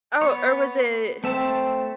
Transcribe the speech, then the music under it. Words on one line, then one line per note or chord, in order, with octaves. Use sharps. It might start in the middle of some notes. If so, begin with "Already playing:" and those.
oh, or was it
B3 C#5
A3 C4 E5 A5